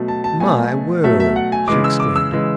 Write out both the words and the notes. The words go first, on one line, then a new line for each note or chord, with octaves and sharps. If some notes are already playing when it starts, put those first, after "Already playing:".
'My word!' she exclaimed.
Already playing: B2 F#3 A3
A5
A5
B2 F#3 A3 G#5
B2 F#3 A3 E5
E5
F#5
G#5
C#3 E3 G#3 D6
E6
D6
E6
C#3 E3 G#3